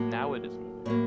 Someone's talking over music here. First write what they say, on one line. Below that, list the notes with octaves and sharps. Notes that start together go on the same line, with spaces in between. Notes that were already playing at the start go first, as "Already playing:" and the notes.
Now it is moving.
Already playing: A2 F#3 A#3
A2 F#3 A#3 C#5